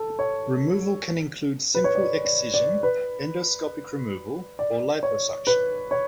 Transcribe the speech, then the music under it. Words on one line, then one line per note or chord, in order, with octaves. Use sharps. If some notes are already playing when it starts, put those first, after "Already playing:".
Removal can include simple excision, endoscopic removal, or liposuction.
Already playing: A4
C#5
B4
C#5
D5
D5
D5
B4
D5
C#5
B4
C#5